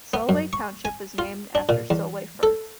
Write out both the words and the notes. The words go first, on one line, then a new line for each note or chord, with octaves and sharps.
Solway Township was named after Solway Firth.
B3
F#2
C#6
G#5
F4
D4
A#2
E2
A4